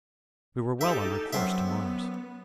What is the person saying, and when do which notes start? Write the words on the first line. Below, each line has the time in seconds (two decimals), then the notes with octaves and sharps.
We were well on our course to Mars.
0.81 D#4 G4 A4 E5
1.33 F#2 B3 C4 E5